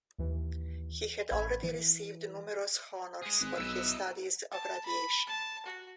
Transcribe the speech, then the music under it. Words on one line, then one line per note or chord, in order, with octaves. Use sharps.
He had already received numerous honors for his studies of radiation.
D#2 E3
A1 B5 G#6
E3
G#3 G#4 D#6
G#1 B4
B1 E4 D#5 E6
A5
B5
A5
F#4